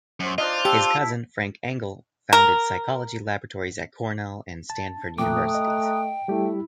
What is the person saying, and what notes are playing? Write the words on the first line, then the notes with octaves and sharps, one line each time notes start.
His cousin, Frank Angell, founded psychology laboratories at Cornell and Stanford Universities.
F#2 C5
D4 F4 C5 D#5 D6
G4 A5 E6
E4
A#4
A5
F2 A#2 A3 G5 A#5 D6 D#6 F#6
D#5
G3 A3 E4 G4